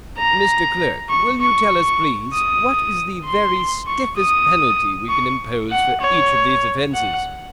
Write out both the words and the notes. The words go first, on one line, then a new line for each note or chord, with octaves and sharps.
Mr. Clerk, will you tell us, please, what is the very stiffest penalty we can impose for each of these offences?
A#5
C#6
C#6
D#6
C6
C#6
D#6
C#6
F#5
C#5
F#5